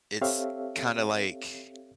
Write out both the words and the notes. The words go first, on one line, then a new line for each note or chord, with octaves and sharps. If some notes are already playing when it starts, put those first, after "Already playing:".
it's kinda like,
C4 G4 A4 C#5 E5 F5